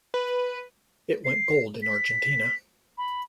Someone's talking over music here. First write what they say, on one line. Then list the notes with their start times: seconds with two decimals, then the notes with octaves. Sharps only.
It went gold in Argentina.
0.14 B4
1.25 C7
1.82 B6
2.98 B5